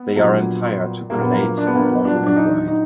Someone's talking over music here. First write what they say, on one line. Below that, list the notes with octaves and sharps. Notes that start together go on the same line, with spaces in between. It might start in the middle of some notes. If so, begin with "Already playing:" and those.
They are entire to crenate and long and wide.
Already playing: B3
A#1 A#2 F#3
A#1 A#2 F#3 A#3
B3
A#3
D4
B3
A#3
B3
A#1 A#2 F#3 D4
D4
D#4
D#4